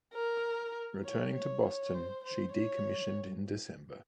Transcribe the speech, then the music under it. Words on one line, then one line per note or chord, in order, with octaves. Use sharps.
Returning to Boston, she decommissioned in December.
A#4
C#5
C#5
C#5
C5
C5
C#5